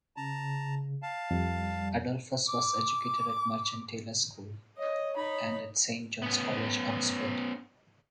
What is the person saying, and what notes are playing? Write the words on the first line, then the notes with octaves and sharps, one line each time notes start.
Adolphus was educated at Merchant Taylors' School and at Saint John's College, Oxford.
C#3 A5 A#5
F5 A5
F2 G3
D6
C#5 D#5
D#4 B5
B3 C#4